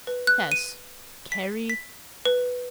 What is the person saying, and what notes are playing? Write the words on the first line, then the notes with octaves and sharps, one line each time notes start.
Yes. Carry?
B4
F#6
D#7
B6
B6
B4